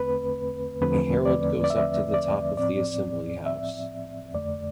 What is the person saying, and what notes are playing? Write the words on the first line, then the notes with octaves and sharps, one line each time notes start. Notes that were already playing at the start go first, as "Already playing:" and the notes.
A herald goes up to the top of the assembly-house.
Already playing: E2 D3 A3 C4 B4
E2 D3 F3 A3 C4 B4
D5
D5
E5
D5
A2 F3 C4 D5
E5
F2 D3 A3 D5